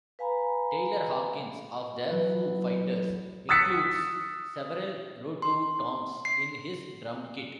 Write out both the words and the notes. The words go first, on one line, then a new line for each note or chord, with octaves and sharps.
Taylor Hawkins of the Foo Fighters includes several rototoms in his drum kit.
B4 F5 G#5 A#5 B5
E3 F#3 B4
D#6 E6 F#6 A6 B6 C#7
C6
C7